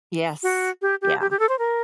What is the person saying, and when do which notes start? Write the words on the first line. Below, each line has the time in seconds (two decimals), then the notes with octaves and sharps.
Yes. Yeah.
0.43 F#4
0.82 G4
1.02 G4
1.21 G4
1.31 G4
1.39 A4
1.49 C5
1.59 A#4